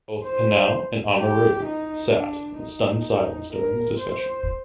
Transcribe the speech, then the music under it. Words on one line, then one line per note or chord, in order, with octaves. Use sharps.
Both Pineau and Amoureux sat in stunned silence during the discussion.
C5
G4
D#4
D4
D#4
A#4
C5